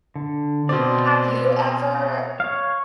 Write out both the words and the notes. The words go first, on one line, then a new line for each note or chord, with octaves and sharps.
Have you ever
D3
B2 C4 C5 D5
C#5 F5